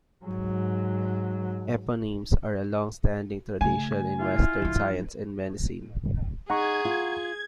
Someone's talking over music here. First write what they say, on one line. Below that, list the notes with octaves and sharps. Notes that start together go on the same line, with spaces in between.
Eponyms are a longstanding tradition in Western science and medicine.
G#2 F#3
C#3 A3 G#5
E4 F4
F3 D4
D#4 G#4 F#5 A#5 C#6 G#6
F4